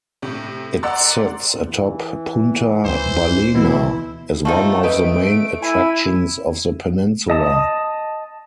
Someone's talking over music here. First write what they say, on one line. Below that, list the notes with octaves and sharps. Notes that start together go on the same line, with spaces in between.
It sits atop Punta Ballena, as one of the main attractions of the peninsula.
A2 C3
D5 F#5 A#5 C6 E6 A6
E3
D2 E3 C5
B2 E3 E4
A3 C4 D#4 F4
A3 C4 B4 D#5 D7
E4 G#5 D#7
D#5 A5 D#6